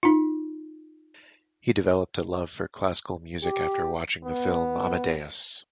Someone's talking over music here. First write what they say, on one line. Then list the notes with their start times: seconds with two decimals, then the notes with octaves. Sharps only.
He developed a love for classical music after watching the film "Amadeus".
0.03 D#4 F4
3.44 G4
4.24 B3